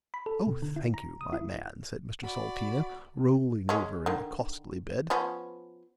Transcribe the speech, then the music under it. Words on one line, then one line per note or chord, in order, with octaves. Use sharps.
Oh thank you my man said Mr Salteena rolling over in the costly bed.
B5
A4
B2
D3
E4
A#5
D#6
E4
F#4 D5 B5
G#3 C#4
D3 D#3
F3 B3 C#4